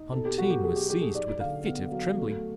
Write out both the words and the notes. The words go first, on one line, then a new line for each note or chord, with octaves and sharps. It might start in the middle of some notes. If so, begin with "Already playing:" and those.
Fantine was seized with a fit of trembling.
Already playing: D#4
B2 A4
G4
F#3 F#4
G4
F#3 G#4
G4
F#3 G4
G#4
D#4 D5
D3 F5
B3
F#3
A3